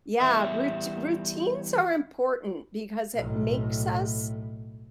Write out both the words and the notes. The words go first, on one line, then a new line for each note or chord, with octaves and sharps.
Yeah, rout routines are important because it makes us,
E3 G3 B3 C5 E5
B1 A2